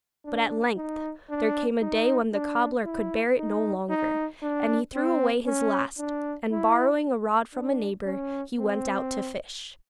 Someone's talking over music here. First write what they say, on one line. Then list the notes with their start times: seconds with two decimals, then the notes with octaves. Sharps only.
But at length there came a day when the cobbler could bear it no longer, and he threw away his last, and borrowing a rod from a neighbour he went out to fish.
0.25 D4
0.77 D#4
1.30 D4
1.81 D#4
2.33 D4
2.85 E4
3.37 D#4
3.90 D#4
4.42 D4
4.95 C4
5.46 C#4
5.98 D4
6.51 E4
7.54 D4
8.06 C#4
8.59 C4